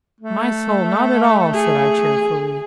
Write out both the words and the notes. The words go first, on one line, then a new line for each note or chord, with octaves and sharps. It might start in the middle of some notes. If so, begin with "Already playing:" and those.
'My soul, not at all!' said I, cheerfully.
A3
G#4